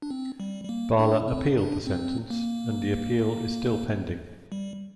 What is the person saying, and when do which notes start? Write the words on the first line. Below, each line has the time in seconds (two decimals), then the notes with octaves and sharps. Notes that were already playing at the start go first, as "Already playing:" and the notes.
Bala appealed the sentence and the appeal is still pending.
0.02 D4
0.10 C4
0.40 G3
0.64 G3
0.69 A#3
0.99 D4
1.28 C4
1.57 D4
1.87 C4
2.30 A#3
4.52 G3